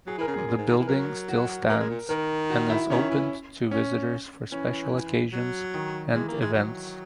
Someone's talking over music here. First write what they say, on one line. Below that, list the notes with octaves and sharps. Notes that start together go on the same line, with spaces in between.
The building still stands and is opened to visitors for special occasions and events.
F#3 G#4
E3 A#4
C#3
F#2 G#4
F#2
G#2
D#3
E3
F#3 A#4
F#4
A#3 A#4
G#3
A#2
D#3 A#4
F#4
E4
D#3 C#4
E3
C#4
E3 C#4
F#3
D#3
E3 G#3
A#3
G#3
F#3